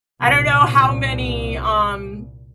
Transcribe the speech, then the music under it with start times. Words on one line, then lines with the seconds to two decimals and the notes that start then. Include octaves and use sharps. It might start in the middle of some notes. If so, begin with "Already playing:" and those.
I don't know how many, um
0.19 C2 A#2